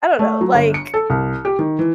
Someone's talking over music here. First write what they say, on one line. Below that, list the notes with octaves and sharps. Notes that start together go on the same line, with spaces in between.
I don't know, like,
A3
F#3
G1
C#7
A4
C2
G4
D#3
E3